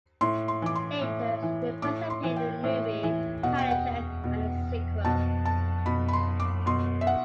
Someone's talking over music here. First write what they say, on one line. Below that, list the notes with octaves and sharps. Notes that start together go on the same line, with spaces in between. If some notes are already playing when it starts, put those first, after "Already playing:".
Later, they participated in the movie “Paddington” and its sequel.
A2 C6
C6
E3 D6
C6
A2
E3
A2 D6
C6
E3
G5
A2
E3
B2 F#5
G5
F#5
B2
B2 A5
A5
B2 B5
B5
C6
D6
B2 C6
E5
F#5